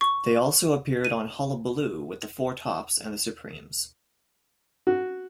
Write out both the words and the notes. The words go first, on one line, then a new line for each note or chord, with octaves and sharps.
They also appeared on Hullabaloo with the Four Tops and the Supremes.
C#6
D#7
F#4